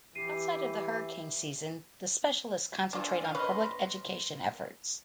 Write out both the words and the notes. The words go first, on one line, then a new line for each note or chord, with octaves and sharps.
Outside of the hurricane season, the specialists concentrate on public education efforts.
E3 G4 C7 D#7
D4 F4 A4 G#5
D#5 F5
C#4 B4 D#5 B5 C6